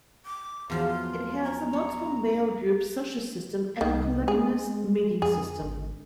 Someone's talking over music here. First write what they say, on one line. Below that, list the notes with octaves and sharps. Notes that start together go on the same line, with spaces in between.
It has a multiple-male group social system and a polygamous mating system.
D6
E2 F3 F#3 F4
A#5
C#5
C2 D#3
G#3 G#4
F2 G#4
G#1